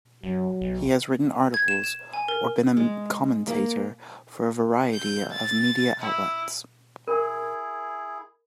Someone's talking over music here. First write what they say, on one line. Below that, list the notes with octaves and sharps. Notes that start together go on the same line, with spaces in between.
He has written articles or been a commentator for a variety of media outlets.
F#2 F#3
B1
G#6
E7
E7
G#5
A#4
G#3
A#3
G6
A6
E4
E4 G#4 A#4